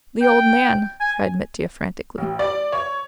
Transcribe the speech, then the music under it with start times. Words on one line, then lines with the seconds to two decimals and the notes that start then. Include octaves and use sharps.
"The old man!" cried Mitya frantically.
0.21 G5
1.00 G#5
2.18 A1
2.39 D5
2.72 C#5